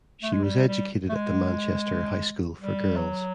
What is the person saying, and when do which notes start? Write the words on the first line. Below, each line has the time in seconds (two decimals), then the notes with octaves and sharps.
She was educated at the Manchester High School for Girls.
0.23 A3
0.33 G#3
0.44 G3
0.68 G3
1.09 A3
1.15 G#3
2.61 G3
2.96 F#3